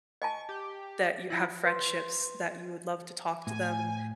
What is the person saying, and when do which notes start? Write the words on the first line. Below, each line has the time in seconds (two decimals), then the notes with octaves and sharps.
that you have friendships, that you would love to talk to them
0.22 D#5 G#5 A5 C#6
0.49 G4
1.30 F3 E4
1.63 B4 C6
3.47 A2 G#5